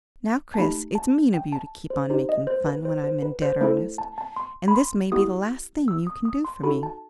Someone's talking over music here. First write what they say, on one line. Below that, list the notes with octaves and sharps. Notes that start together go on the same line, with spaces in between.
"Now, Chris, it's mean of you to keep on making fun when I'm in dead earnest; and this may be the last thing you can do for me."
A5
A3 D#4 G4 B5
A5
G5
A5
C5
D#4 G4 C5
D#5
C5
B4
C5
C5
B4
C5
A3 E4 A4 C5
A5
A5
C6
B5
C6
B3 E4 G4 D#6
E6
D#6
D#6
C6
D#4 F#4 A4 B5
A5